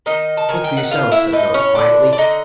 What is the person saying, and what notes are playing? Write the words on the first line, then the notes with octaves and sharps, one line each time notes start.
"Look for yourselves," said Melick, quietly.
D#3 D#4 D#5
A5
D#3 G#5
G5
F#5
A2 F4 F5
E4 E5
A2 D#4 D#5
C#4 C#5
D3 D4 D5
D5
D3 D#4 D#5